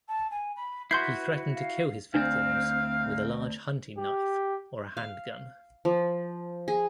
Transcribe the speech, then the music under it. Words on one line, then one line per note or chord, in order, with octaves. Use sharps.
He threatened to kill his victims with a large hunting knife or a handgun.
A5
G#5
B5
E4 F#4 B4 C6 G6 C7
F5
D2 C4 D4 F5
G4
F5
F3
G#4